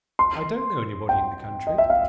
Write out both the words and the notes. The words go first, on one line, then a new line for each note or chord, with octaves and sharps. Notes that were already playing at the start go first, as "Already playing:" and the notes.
I don't know anybody in the country.'
C6
G5
D#5
E5
F5